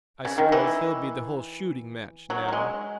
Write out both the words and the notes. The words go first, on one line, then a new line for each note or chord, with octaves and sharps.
"I suppose he'll be the whole shooting match, now."
C#3
D#3
E3
F#3
F#3
G#3